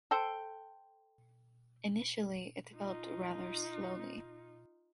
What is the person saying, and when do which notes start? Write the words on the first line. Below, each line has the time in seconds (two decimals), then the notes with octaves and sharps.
Initially, it developed rather slowly.
0.11 A4 C5 G5
2.75 D#4 F4